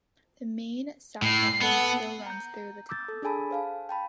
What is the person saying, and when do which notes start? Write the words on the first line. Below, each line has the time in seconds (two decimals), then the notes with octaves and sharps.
The Main South Line still runs through the town.
1.22 A2 C7
1.61 B3 A4 F#5
2.26 A#5 G6
2.89 D6 E6 G6 A6
3.08 A4
3.22 D4 G#4 A4 G#5 A5 B5
3.51 C5 F5 A5
3.89 G5 A5 B5